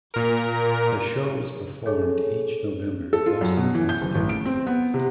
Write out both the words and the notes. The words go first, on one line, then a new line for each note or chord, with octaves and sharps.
The show is performed each November close to Thanksgiving.
A#2 A#4
G#4 A4 C#5
A4
F4
F#2
B2
E3
G6
F#1
A1
D7
C4
B3
C3